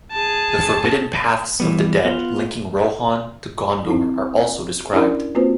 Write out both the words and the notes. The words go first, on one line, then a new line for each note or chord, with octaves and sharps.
The forbidden Paths of the Dead linking Rohan to Gondor are also described.
G#4 A5
E3 G3 B3
B3 F4
C4 D#4 E4
C#4 D4 E4 G4 A#4 D5
A#3 C4 F4 F#4 B4 C5